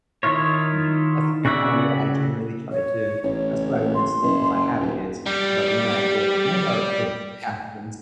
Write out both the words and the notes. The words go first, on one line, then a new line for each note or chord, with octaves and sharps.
and that's that's kind of what I generally try to that's what I wanna instill, if I have kids, but when I or when or if I have kids,
D#3 E4 F4 C#5
C#3 F#4 D5 E5 F#5
C#5
A1 C#5
C6
F#1
D#1
G3 G4